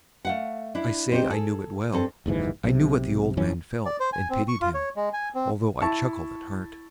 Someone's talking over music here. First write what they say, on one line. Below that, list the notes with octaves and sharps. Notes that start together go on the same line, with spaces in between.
I say I knew it well. I knew what the old man felt, and pitied him, although I chuckled at heart.
A3 F5 F#5
D4 E4
C4 D4 D#4 G4
G#4 A4
G2 C4 A4
F#1 D#2 G#2 E3
B1 C3
D#1 E3 C#4
D5
C5
G#5
C4
C#6
F4
C#5
G#3
G#5
C4
E4 A5 C#6